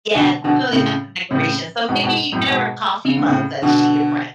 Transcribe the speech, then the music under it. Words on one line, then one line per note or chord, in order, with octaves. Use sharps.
Yeah, definitely not the decoration. So, maybe you get her a coffee mug that's cheetah print.
B2 D3
B2 D3
A2 C#3
A2 C#3
G#2 B2
G#2 B2
F#2 A2
G#2 B2
C#3
D3
A2 C#3
B2 D3